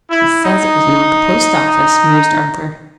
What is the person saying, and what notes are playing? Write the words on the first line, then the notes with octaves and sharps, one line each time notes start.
"He says it was not the post-office," mused Arthur.
E4
D#4